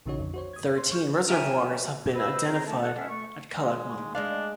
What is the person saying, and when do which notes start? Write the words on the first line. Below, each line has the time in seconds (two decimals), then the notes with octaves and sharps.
Thirteen reservoirs have been identified at Calakmul.
0.06 A#1 C#3 E3 D#4 F#4 C#5
0.19 F2 D3
0.34 F#4 C5 C#5
0.53 D#6 G#6
0.76 C5 C6
0.92 C#6 F6 G6
1.29 A#4 C#5 E5 G5 G#5
2.14 B4 C5 D#5 E6
2.47 A2 C4 G#4 C5 G5 A#5
2.66 A3 A5
2.81 A4 F#5
2.96 F2 G#3 C#4 D4 E5 F#5
3.09 A3 C#6
3.58 G#3
3.98 D#2
4.15 G#3 D4 D5 F5